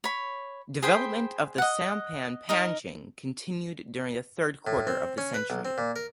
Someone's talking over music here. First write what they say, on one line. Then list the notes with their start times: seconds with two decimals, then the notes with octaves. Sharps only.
Development of the sampan panjang continued during the third quarter of the century.
0.04 C#5 B5
0.82 G#4 C5 G5 B5
1.58 D#5 F#5
2.49 D#4 A#4 D#5
4.67 A2
4.87 C4
5.18 C#4
5.34 B4
5.50 B1
5.65 C4
5.78 A#2
5.96 A#4